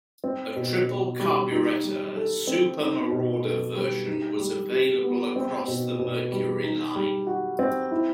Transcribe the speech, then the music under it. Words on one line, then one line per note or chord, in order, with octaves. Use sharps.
A triple-carburetor"Super Marauder" version was available across the Mercury line.
C4
B2
B2
G3
D#4
G3
A4
C4
D#4
B2
A4
G3
D#4
G3
G4
B3
C4
B2
B2
G3
D#4
G3
F#4
C4
E4